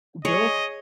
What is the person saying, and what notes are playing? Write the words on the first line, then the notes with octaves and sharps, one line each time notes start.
Bill H
G#4 C#5 D#5